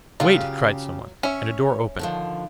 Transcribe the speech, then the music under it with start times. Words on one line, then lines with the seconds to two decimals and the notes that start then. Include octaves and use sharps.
"Wait," cried someone, and a door opened.
0.20 C#3 F#3 F4 G4
1.23 C#4 C#5 E5
1.99 D3 D#3 F3